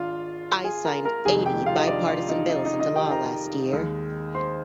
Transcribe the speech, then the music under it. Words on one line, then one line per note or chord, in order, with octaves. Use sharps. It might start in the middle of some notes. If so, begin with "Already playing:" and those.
I signed eighty bipartisan bills into law last year.
Already playing: G#1 G#3 D4 F4 F5
G#4 G#5
A#4 A#5
A#4 A#5
F1 F2 D#3 G#3 G#4 G#5
G4 G5
F4 F5
D#5
D4 D5
F4 F5
D#4 D#5
D#4 D#5
D#4 D#5
D#4 D#5
G4 G5
A#4 A#5
D#2 D#3 G#3
C5 C6